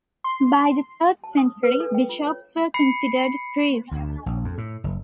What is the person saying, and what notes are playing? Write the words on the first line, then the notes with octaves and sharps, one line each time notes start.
By the third century bishops were considered priests.
C6
A5
D#6
B4
A4
G5
F4
C#5
B5 C7 C#7
D2
A#1
F2
A2
F#1